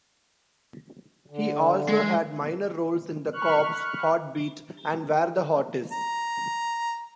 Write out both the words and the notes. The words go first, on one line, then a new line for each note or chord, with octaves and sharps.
He also had minor roles in "The Cops", "Heartbeat" and "Where the Heart Is".
D3
G#3
B5 C#6 F6 F#6
A#5